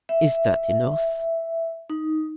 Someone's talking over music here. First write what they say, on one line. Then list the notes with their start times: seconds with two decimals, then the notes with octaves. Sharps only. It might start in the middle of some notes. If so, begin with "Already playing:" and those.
"Is that enough?"
0.09 E5
1.90 D#4